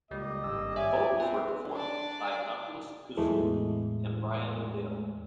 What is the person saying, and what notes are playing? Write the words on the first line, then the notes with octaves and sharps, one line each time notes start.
Vocals were performed by Nachilus Kezuck and Brian O'Dell.
C#2 G3 A#3 G4 D#5
G#1 G2 E6
C#5 D5 E5 G#5
B3 C4 B4
D4 D5
E2 A2 E3 G#3 A3